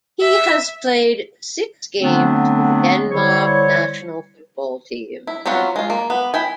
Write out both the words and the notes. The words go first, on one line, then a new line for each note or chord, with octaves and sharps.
He has played six games for the Denmark national football team.
E5
D3 F#3 A3 B3 C4 D4
D3 G3 E4 C5 C#5
E4
F#3 B3 C4 F4 F#4
G#3 F4
A#3
B3
E4 G5 G#5